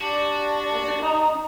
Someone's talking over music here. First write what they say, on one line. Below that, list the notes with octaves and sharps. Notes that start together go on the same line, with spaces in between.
What's it called?
D4 F#4 G4 D5